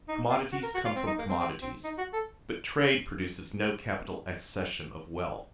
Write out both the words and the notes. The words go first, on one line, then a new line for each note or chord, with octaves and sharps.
Commodities come from commodities; but trade produces no capital accession of wealth.
D#4
F4
F#4
A#4
F#4
F4
C4
D#4
A#3
C4
C4
C4
D#4
F#4
A4